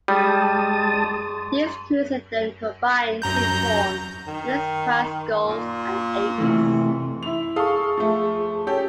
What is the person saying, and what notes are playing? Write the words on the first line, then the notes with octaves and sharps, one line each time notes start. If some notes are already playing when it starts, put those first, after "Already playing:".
These crews then combined to form Mixed Quad Sculls and Eights.
G3 G#3 A5 D#6
F#2 A#5 G6
D#3
A#2
C3 E3 A3
E4 F7
G#4 A4 F5 C#6 D#6
F3 A3
C#4 G4 A4